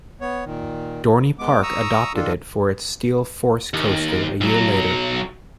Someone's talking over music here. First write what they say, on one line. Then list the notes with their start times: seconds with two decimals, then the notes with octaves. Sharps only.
Dorney Park adopted it for its Steel Force coaster a year later.
0.21 B3 C#5
0.45 A#2 D#3
1.39 G#3 B3 D6
1.63 A#5 C#6 D#6 E6
2.14 D#3 D4 F4 A4
3.74 D#2
4.41 B1 F#3